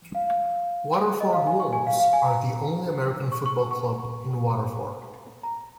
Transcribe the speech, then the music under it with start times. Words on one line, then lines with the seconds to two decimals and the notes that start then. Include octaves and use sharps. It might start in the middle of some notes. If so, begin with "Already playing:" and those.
Waterford Wolves are the only American football club in Waterford.
0.15 F5
1.21 D#5
1.33 F5
1.47 G#5
1.60 C#6
1.73 G#5
1.87 F5
1.99 F5
2.13 G#5
2.26 A#5
3.32 C#6
3.46 C#6
3.59 C#6
3.71 C#6
3.85 C#6
5.43 A#5